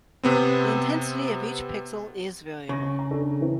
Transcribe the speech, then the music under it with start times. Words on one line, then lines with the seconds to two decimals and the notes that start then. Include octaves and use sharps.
The intensity of each pixel is variable.
0.23 C3 B3 C4
2.69 C#3 C#6 A#6
2.99 A#5
3.11 D4 A4
3.41 E3 C4